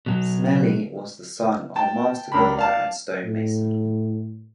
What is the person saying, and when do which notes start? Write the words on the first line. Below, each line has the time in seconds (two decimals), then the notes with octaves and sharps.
Smellie was the son of a master builder and stonemason.
0.06 B2 F#3
1.76 G5 A5
2.32 C#2 D4 A#4 B5
2.57 D5 F5 A5
3.23 A2